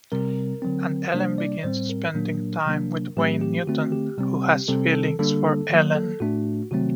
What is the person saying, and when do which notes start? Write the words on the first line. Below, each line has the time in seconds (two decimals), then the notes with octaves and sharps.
And Ellen begins spending time with Wayne Newton, who has feelings for Ellen.
0.12 C3 G3 C4 A#4
0.62 D3 F#3 C4
1.13 C3 G3 A#3 D4 C5
1.38 D5
1.63 A2 G3 C4 C5
1.89 A#4
2.14 A#2 F#3 A#3 D4
2.66 C3 F#3 A#3 D4
3.16 A2 F#3 A3 C4 G4
3.41 G4
3.67 D3 A3 C4 F#4
3.92 G4
4.18 C3 G3 C4
4.68 C3 G3 C4 A4
4.93 A4
5.19 D3 G3 A#3 D4 A4
5.70 D#3 F#3 A#3
5.95 A4
6.20 A2 A3 D4 F#4
6.71 C3 D#3 F#3 A3 C4 F#4